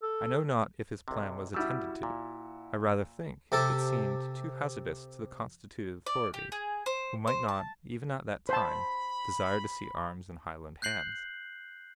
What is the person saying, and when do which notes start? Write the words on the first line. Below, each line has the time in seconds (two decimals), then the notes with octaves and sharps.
I know not if his plan was attended to, I rather think it seemed too hazardous to the constituted authorities, who might not, even at that time, desire to see arms in Highland hands.
0.02 A4
1.08 B1 C3
1.54 C#3 G3 E4 F#4 E6
2.03 A#2
3.52 C3 A4
6.06 D5
6.34 G4
6.52 G#4
6.86 C5
7.27 C5
7.48 A5
8.49 C5 A5 B5
10.82 F#6 G6 C7 F#7